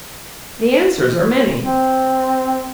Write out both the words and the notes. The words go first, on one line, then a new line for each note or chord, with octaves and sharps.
The answers are many.
C4